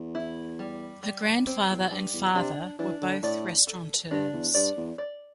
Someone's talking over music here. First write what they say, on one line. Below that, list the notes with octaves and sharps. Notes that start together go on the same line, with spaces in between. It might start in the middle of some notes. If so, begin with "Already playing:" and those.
Her grandfather and father were both restaurateurs.
Already playing: E2
E4
G3
G3
C4
E2
G2 G3
E2
C3 D4
E3 D4
D3
A2 D5
A4
G2 D4
E2
G2 D5
E2
D5